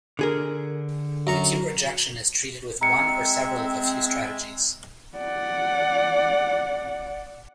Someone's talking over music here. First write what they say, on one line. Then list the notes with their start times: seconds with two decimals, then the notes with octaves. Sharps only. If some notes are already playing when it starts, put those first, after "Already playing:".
Acute rejection is treated with one or several of a few strategies.
0.19 D3 G#4 A#4
1.27 F#2 A#5 C#6
2.81 G#3 C4 E5 A#5 C#7
5.17 D5 F#5